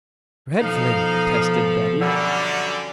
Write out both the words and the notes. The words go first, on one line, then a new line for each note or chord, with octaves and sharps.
"Dreadfully," attested Betty.
B2 F3 D#4 A4 F5
F#2 D3 G3